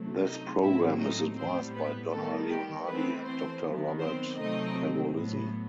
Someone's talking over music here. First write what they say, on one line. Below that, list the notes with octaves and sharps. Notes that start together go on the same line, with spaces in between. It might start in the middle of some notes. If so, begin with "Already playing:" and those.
This program is advised by Donna Leonardi and Doctor Robert Pergolizzi.
Already playing: C3 F#3 A3
D#4 D#5
A2 F#3 A3 C4 E4 E5
D#4 D#5
A2 G3 B3 C4 C5
B3 B4
D#3 G3 A3 B3 A4
G4
E3 A3 B3 C4 B4
C4 C5
D#3 F#3 B3
C4 C5
C3 F#3 A3 C4 D#4 D#5
A2 F#3 B3